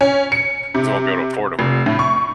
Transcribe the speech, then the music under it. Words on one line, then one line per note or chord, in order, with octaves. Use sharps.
'cause they won't be able to afford 'em.
C#4
C#7
C3
F1
A2
C#6